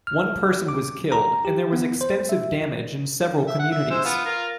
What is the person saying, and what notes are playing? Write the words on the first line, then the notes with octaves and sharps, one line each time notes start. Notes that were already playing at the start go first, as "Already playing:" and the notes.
One person was killed and there was extensive damage in several communities.
F6
D6
A#5
G4
B3
C5
E5
E5
F#5
E5
G#3 C5 E6
B3 F4
F4 A#4 F5